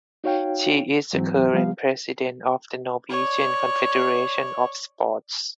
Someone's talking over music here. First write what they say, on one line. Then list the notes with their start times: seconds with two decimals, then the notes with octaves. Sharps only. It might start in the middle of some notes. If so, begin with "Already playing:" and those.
She is the current president of the Norwegian Confederation of Sports.
0.24 D#4 F#4 C#5 F5 G5
1.13 G#2 E3 F#3 C4
1.53 F3 G3 B3 F5
3.10 C#5 D5